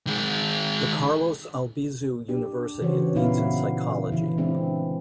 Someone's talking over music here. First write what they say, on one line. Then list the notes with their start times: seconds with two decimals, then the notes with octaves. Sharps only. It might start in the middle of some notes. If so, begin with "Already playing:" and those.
The Carlos Albizu University leads in psychology.
0.07 D#3 G#3
2.28 D4 G4
2.81 C#3 E3 F#4 C5 C#5
3.15 A#2 B3 D#4 E4 C#5 F5
4.12 D3 E3 E4
4.37 E3 G#3 C4 D4 E4